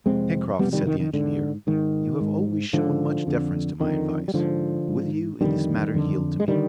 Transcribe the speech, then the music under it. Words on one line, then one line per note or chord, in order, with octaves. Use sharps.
"Pencroft," said the engineer, "you have always shown much deference to my advice; will you, in this matter, yield to me?"
F2 C3 G#3 C4
F2 G3 B3
C3
D#3 G3
D#3
D#3
G#2 D3
G#2 D#3
G#2
G#2 D3 F3
F2 D3
F2 D3 D#3
G3
G#2 D3 F3
G#2
F2 D3 D#3 G3
F2 D3
G#3
D3 D#3 G3